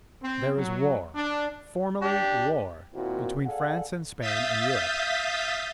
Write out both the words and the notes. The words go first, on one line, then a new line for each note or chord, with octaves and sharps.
There is war--formally war--between France and Spain in Europe.
C4
F#3
D4
D4 G4
A#2 D#3 A#3 C4 E4 F#4
G#4 A4 D5 F5 F#5
E5 F5 D#6 G6 A6 B6